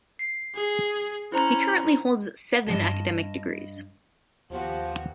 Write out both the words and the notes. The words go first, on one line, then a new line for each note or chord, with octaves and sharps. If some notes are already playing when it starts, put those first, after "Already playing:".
He currently holds seven academic degrees.
C7
G#4
C#4 E4 C5 A#5
G2 D#3 D#5 A5
D#2 F3 B3 F#4 G4